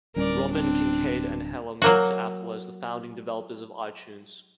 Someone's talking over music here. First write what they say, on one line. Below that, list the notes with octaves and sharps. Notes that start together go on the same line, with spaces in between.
Robbin, Kincaid, and Heller moved to Apple as the founding developers of iTunes.
D1 G3 C#4 A#4 D5
C4 D4
F#3 A#3 F#4